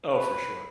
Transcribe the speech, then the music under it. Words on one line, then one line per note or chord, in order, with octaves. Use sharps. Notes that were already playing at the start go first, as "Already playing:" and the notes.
Oh, for sure.
B4